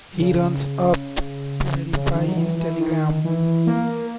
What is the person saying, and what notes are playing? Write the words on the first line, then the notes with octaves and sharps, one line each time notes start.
He runs up to verify his telegram.
C#3
C#3
D#3
F#3
E3
E3
D#3
E3
A#3